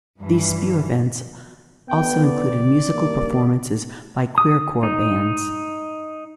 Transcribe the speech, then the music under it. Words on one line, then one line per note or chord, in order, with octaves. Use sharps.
These Spew events also included musical performances by queercore bands.
G2 E3
D2 D3 B3 G5
D5
G2 A#3
D#6
D#4